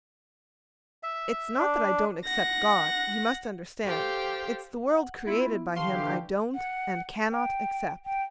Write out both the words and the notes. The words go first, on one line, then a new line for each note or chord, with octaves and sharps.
It's not that I don't accept God, you must understand, it's the world created by Him I don't and cannot accept.
E5
D4
F#5 A#6
G4 A4 C5 F5 G5
F#5
B3 E4 F4
D3 E3 G4 F5 G5 A5 C6 C#6
F#5
G5
G5